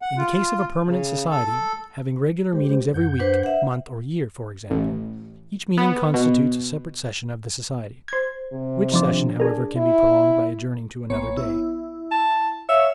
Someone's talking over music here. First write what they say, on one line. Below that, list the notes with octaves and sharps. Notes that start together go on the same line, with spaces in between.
In the case of a permanent society, having regular meetings every week, month, or year, for example, each meeting constitutes a separate session of the society, which session however can be prolonged by adjourning to another day.
F#5
F4
C#3
A4
G#3 G4 C5
F#2 F#5 G6
D4 B4 C5
E5 F#5
A1
B3
B2
C5 G#6
C3
D#3 F3 D4
D4 G#4 A#4
E4
A#1 B3 C#5
E4
A5
C#5 E5 F5